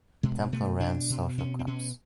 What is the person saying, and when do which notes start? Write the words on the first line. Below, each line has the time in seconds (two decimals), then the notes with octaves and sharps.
Templer ran social clubs.
0.23 B2 G#3
0.52 B2 A3
0.80 B2 D4
1.10 B2
1.38 B2 C#4
1.59 C4
1.67 B2 C#4